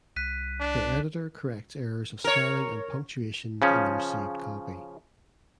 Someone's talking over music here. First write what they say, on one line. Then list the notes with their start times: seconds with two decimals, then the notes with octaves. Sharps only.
The editor corrects errors of spelling and punctuation in the received copy.
0.16 C2 F#6 B6 D#7
0.60 D4
2.24 A#4 C#5
3.62 C#3 F3 C#4